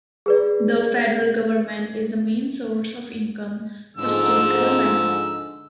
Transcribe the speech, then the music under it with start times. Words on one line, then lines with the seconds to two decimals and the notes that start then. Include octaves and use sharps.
The federal government is the main source of income for state governments.
0.26 G#4 B4 D5
3.97 G#2 D3 F3 E6